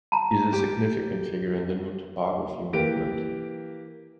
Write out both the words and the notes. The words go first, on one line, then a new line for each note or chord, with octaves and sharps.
He is a significant figure in the New Topography movement.
A5 A#5
G4
E3 A#3 G4 D7